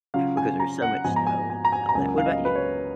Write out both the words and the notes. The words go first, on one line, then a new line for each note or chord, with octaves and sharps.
because there's so much snow and all that, what about you?
C#3 F#3 C#4 F4 F5
G#5
A#5
F#5
G#2 F3 B3 D#4 G#5
A#5
G#5
G#5
A#5
G#5
A#5
C#2 C#3 F#3 A#3 G#5
F5
D#5
B4
C#5